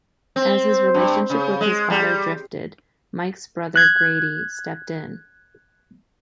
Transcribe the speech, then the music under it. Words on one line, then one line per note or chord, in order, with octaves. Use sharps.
As his relationship with his father drifted, Mike's brother Grady stepped in.
C4
G2
C#3
G#3
G3
F#6 G#6